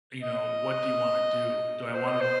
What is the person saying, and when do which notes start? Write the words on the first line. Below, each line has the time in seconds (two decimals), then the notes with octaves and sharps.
you know, what do you wanna do? Do I wanna
0.22 D#5
1.94 C5
2.08 D#5
2.21 C5